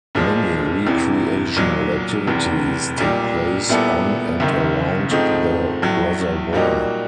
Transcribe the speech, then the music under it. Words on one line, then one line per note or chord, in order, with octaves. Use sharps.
Many recreational activities take place on and around the reservoir.
B1 A#2 F3 G#3
F1 E2 C3 E3
B1 A#2 F#3
F1 E2 C3
B1 A#2 G3
A#2 G3 B3 E4 A4
F#1 F#2 D#3
G#2 F3 A3 C4 D#4
A#1 A2 F#3
A#2 G3 A#3 D#4 F#4